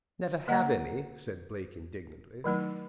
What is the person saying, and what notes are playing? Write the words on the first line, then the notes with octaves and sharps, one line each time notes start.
"Never have any!" said Blake indignantly.
D3 A#3 D#5 F#5 A#5
D#3 F#3 A3 D#4